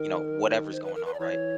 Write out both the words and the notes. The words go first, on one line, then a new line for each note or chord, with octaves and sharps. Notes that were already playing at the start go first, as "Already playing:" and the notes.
you know, whatever's going on, right?
Already playing: D#3 A#4
C5
B4
A#4
B4
D5
E3 C#5